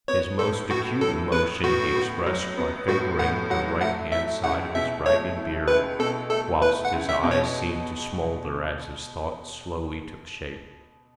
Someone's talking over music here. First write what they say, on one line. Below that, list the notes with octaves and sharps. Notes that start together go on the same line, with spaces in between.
His most acute emotion he expressed by fingering the right-hand side of his ragged beard, whilst his eyes seemed to smoulder as his thoughts slowly took shape.
B3 C#5
A2 A4
A2 F#4
F#3 A4
B3 B4
A2 F#4
A2
F#3
B3
A2 F#4
A2 F#5
F#3 F#5
A3 F#5
E4 E5
C#2 F#5
B2 E5
A3 C#5
E4
C#2 B4
B2 A4
A3 A4
E4 B4
F#5
C#2
E5
B2
C#5